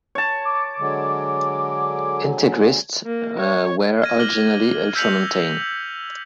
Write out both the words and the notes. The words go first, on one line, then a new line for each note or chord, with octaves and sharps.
Integrists were originally ultramontane.
C#5 A5
D6
D3 F#3 G#3
A#3
C#5
F6 G#6 A#6 D#7
D6 F6 F#6 A#6 F#7 G7
E6 G6 B6 C#7 F7 F#7